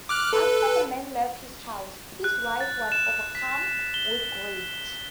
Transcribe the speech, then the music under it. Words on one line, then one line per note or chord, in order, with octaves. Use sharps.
After the man left his house his wife was overcome with greed.
D6 F6 F#6
A4 B4
F#6
A6
E7
B6
G7